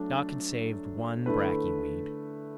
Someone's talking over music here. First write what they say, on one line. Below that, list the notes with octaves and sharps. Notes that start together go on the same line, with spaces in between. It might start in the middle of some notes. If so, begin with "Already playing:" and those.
Doc had saved one bracky weed.
Already playing: F#3 A3 D4
D3 A3 E4 B4